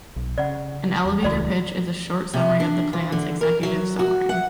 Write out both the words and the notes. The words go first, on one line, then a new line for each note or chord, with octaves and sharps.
An "elevator pitch" is a short summary of the plan's executive summary.
B1
C#3 D5 F#5
E2
D#1 C#2 E3 F#4 D5 G5
C3
D4
F3
D3
A#4
F#3
F#4
F#5